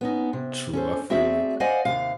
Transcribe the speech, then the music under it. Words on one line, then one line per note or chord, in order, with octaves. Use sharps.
True. I feel it
B3 C#4 D#4
C3
C#4 A4 C5
A3 C4 F#4 G#4 D5 E5
C5 D5 D#5 F5 F#5 G#5
D#2 C3 F5